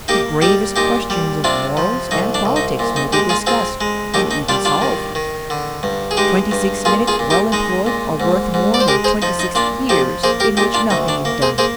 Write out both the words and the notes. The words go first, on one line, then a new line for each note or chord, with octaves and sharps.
The gravest questions of morals and politics may be discussed, and even solved. Twenty-six minutes well employed are worth more than twenty-six years in which nothing is done.
A#3 D#4 G4
G3 D#4 G4
A#2 D#4 G4
G3
C3 D4 F4
F3
C2 D#4
D4
C2
D#4
A#2
D#4
G#3 D#4 G4
F4 G#4
C4 F4 G#4
G#3
D#2 D#4 G4
D#4
G3 D4 F4
D4 F4
D#3
D#3
D3
G2
G#4
G#3 D#4 G4
G2
A#2 F4 G#4
F4 G#4
A#2
D#4 G4
G#3 D#4
A#2
G#2
G#2
D5
C5
G#3 G4 A#4
G#4 C5
F3 D#4
D#4
A#2 D4 F4
F3 D#4 G4
A#3 G#4 C5
G4 A#4
A#2 D#4 G4
D4 F4
D2 D#4
D4
A#3
G#4 C5
A#3 G#4 C5